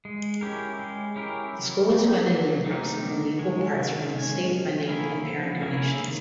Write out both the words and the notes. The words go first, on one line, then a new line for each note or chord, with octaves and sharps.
The school is funded in approximately equal parts from state funding and parent donations.
G#3
C#4 E4 G4 A#4
G#3
C#4 E4 G4 A#4
F#3
A3 C4 D#4 G4
F#3
A3 C4 D#4 G4
D#3
G#3 C#4
D#3
G#3 C#4
F3
A#3 C#4 E4 G#4
F3
A#3 C#4 E4 G#4
D#3